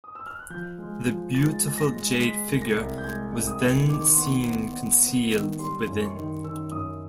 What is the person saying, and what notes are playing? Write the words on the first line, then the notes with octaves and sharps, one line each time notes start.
The beautiful jade figure was then seen concealed within.
D#6
E6
F6
F#6
F3 G6
G#3
F3
G#3 A6
G#3 A6
A#6
G#3
G#3 B6
C2
A#6
C2
G6
G#3 G#6
C2
D#6
C2
D#3 D6
C#6
C6
B3 C#6
B3
B3
B3
D#3
G3 C6
F#2
C#6
D#3
D#3 E6
F#2 D#6